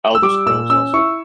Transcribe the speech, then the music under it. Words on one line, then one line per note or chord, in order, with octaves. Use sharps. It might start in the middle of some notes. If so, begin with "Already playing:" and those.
Elder Scrolls, also.
E6
G3 D6
A#2 E6
C#4 E6
E4 C#6